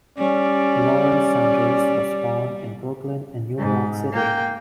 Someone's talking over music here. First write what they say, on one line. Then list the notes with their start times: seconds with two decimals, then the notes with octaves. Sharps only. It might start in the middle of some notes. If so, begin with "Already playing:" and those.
Lawrence Sanders was born in Brooklyn in New York City.
0.18 G3 C#4 D5
3.58 G#2
4.13 A#3 G5